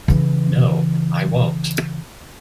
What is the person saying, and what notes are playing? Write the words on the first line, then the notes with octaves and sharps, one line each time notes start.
No, I won't!
C#3 E3